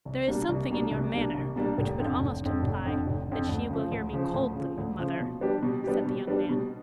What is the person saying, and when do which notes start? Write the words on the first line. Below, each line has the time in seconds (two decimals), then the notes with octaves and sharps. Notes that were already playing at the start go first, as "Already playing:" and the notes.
'There is something in your manner, which would almost imply that she will hear me coldly, mother,' said the young man.
0.05 C2
0.27 B2 G3 A#3 D4
0.49 C2
0.70 B2 G3 A#3 D4
0.91 C2
1.14 B2 G3 A#3 D4
1.34 C2
1.56 B2 G3 A#3 D4
1.78 F1
1.99 F2 D3
2.20 F1
2.42 F2 D3
2.63 F1
2.85 F2 D3
3.06 F1
3.27 F2 D3
3.49 D2
3.71 C#3 F3
3.92 D2
4.13 C#3 F3
4.34 D2
4.56 C#3 F3
4.78 D2
4.99 C#3 F3
5.20 B2
5.41 G3 B3 D4 G4
5.63 B2
5.84 G3 B3 D4 G4
6.06 B2
6.27 G3 B3 D4 G4
6.49 B2